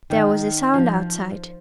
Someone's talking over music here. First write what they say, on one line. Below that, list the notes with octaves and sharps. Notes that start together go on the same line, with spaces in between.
There was a sound outside.
D#3
F3